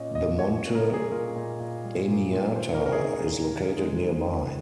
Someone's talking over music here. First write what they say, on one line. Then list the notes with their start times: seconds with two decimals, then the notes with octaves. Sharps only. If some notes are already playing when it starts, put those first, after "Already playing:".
The Monte Amiata is located nearby.
Already playing: A#2 C#4 D#5
0.15 A#2 D#5
0.39 A#2 C#5
0.63 C#4
0.75 A#4
0.87 G3
0.93 G#4
1.12 A#2 A#4
1.36 A#2
1.60 A#2
1.84 G3
2.08 A#2
2.32 A#2
2.56 D#3 C5
2.74 A#4
2.81 D#3
2.86 A#4
2.92 G#4
3.04 C#4
3.29 D#3
3.53 D#3
3.77 G#3
4.01 D#3
4.25 C#4